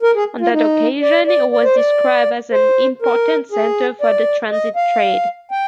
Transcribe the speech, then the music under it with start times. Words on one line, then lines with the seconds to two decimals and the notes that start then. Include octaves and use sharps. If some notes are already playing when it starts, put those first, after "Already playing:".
On that occasion it was described as an "important centre for the transit trade".
0.03 A#4
0.15 G#4
0.41 F4
0.53 D#4
1.03 D5
1.27 D5
1.52 D5
1.64 C5
1.76 D5
2.52 C5
3.02 A#4
3.52 G#4
4.01 D5
4.51 D#5
4.76 F5
5.51 G5